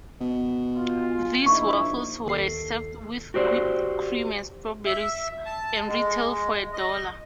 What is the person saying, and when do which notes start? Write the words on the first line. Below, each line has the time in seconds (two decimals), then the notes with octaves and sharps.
These waffles were served with whipped cream and strawberries, and retailed for a dollar.
0.21 B2
0.76 F4
1.46 A#1 D#4 E4 C#6
2.26 D#2 A4 C7
3.34 F#4 G4 C5 D5
4.86 E5
5.45 A5
5.87 G#3
6.73 D#5